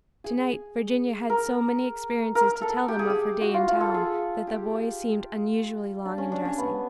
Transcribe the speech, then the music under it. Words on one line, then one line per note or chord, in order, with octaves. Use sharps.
To-night Virginia had so many experiences to tell them of her day in town that the boys seemed unusually long in dressing.
G#4
A#4
A#4
A4
G4
G#4
G4
F#4
F4
F4
A4
G#4
G4
D4
C#4
D4
C#4
B3